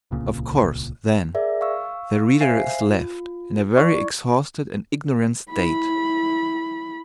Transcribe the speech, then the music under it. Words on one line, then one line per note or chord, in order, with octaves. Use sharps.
Of course, then, the reader is left in a very exhausted and ignorant state.
D1 C2 A#2 C#3
G#4 A#4 D5 E5
F5 C#6 E6
C5 E5 F5 G#5 C7
F4
E4 D5 C#6
E4 B5